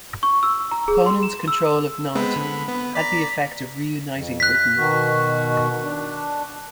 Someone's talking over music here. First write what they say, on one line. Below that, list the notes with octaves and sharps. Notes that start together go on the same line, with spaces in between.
Conan's control of Nantes had the effect of reuniting Brittany.
C#6
E6
A#5
G#4
C6
E7
E6
G#3 B3 C4 B5
D3
B3
D5 A#5 B6
F2
F#6 B6
B2 D#3 F#4
D4